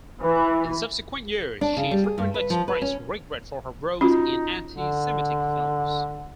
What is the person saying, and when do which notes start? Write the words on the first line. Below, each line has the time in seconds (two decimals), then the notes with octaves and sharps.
In subsequent years, she frequently expressed regret for her roles in anti-semitic films.
0.20 E3
1.61 D4
1.77 C#3
1.91 G3
2.04 G#4
2.18 G2
2.34 B4
2.50 F3
2.68 B4
2.82 C#4
4.01 C#4 D#4 F4 F#4
4.73 D3